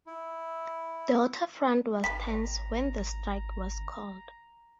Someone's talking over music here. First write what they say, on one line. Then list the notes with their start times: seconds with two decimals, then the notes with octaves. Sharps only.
The waterfront was tense when the strike was called.
0.06 E4
2.04 G#1 D#3 G3 B4 A#5 B6